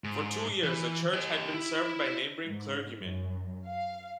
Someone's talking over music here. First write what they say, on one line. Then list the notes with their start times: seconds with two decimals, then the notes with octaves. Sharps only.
For two years the church had been served by neighboring clergymen.
0.04 G#2
0.63 E3
1.14 G4 D#5
1.54 E4
2.46 G#2
3.02 F#2
3.65 F5